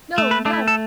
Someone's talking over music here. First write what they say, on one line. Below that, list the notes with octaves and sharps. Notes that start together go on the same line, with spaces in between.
No! no!
A3
B4
A3 D4
E4
A4